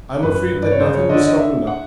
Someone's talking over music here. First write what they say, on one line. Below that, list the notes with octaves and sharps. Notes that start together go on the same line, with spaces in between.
I am afraid that nothing will stop him now.
F#2 B4
G2
D5
C#5
C#3 C5
C#5
D3 D#5
D#5
E5
F#5